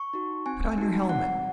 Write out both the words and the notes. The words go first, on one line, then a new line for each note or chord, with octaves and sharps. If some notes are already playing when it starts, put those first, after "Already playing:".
"Put on your helmet!"
Already playing: C#6
D#4 F#4
C4 G#5
D#4 F#4
C4 F#5